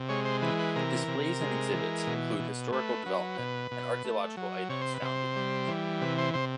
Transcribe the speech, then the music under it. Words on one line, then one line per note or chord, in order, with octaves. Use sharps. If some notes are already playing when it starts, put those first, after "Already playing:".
Displays and exhibits include historical development and archaeological items found in Lamphun.
Already playing: C3
G#3 C#5
C5
E3 B4
B4
C3 A#4
C3
G#3
E3
B2
B2
A3 B4
F#3
B2
B2
A3
F#3
C3 C#5
C5
B4
C3 C5
G3
E3
C3 B4
C5
C3 C5